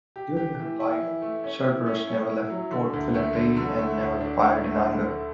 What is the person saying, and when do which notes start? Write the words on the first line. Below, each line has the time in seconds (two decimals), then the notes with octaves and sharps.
During her life, "Cerberus" never left Port Philip Bay, and never fired in anger.
0.16 G4
0.37 G4
0.59 E3
0.80 E4
1.01 E3
1.22 A3
1.44 C#4
1.65 E4
1.86 C#4
2.08 C#4
2.29 E4
2.50 F#3
2.71 D3
2.93 D2
3.14 A3
3.35 D3
3.56 D3
3.78 A3
4.00 D2
4.21 D4
4.41 A3
4.63 A3
4.84 D3
5.05 D3